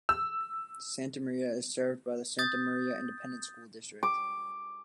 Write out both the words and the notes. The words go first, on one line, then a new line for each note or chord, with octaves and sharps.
Santa Maria is served by the Santa Maria Independent School District.
E6
D#6 G6 A6
D6